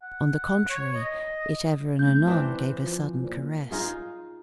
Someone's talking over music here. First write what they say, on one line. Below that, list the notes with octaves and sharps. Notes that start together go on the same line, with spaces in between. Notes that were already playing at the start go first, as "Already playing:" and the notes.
On the contrary it ever and anon gave a sudden caress.
F#5
C#5
D#5
F1 G6
E3 C4 D4
F3
A#2
D#4 F4 G#4